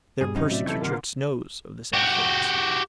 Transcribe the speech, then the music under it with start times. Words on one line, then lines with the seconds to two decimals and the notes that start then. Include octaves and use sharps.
Their persecutrix knows of this affluence.
0.21 G2 B2 G3 G#4
0.35 F#2 C3 C#4 D#4
0.51 A2 F#3 D5 E5
0.66 E3 A4 E5 G5 G#5 C#6
0.81 A#2 D3 A#4 F5
1.93 F#4 G4